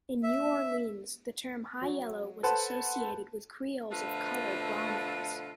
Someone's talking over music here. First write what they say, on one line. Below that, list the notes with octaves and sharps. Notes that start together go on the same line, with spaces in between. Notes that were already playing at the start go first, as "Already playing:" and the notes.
In New Orleans, the term "high-yellow" was associated with Creoles of colour "brahmins".
E5
F#3
A4 B4 C5 F#5 A5
B2 D3 F3 A3 F4 B4